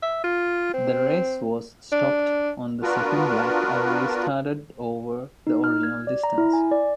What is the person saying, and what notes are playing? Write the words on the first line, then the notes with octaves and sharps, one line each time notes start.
The race was stopped on the second lap and restarted over the original distance.
E5
F4
C4
D4
B3 D4 F4 F#4 A#4 B4
D#4
F6
G#6
D5
A#5
E4
G#5
D5